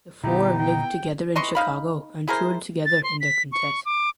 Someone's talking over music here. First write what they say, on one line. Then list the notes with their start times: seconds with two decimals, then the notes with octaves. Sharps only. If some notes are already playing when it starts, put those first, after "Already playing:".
The four lived together in Chicago and toured together in their quintet.
0.24 A#2 D3 B3 D#4 E4 G4
0.59 G5
1.36 E3 D#5 C6 C#6
1.55 D#4 F5 B5
2.27 E4 G#4 A#4 C5
2.86 A6
3.04 C6
3.21 B6
3.52 C#6
3.86 D6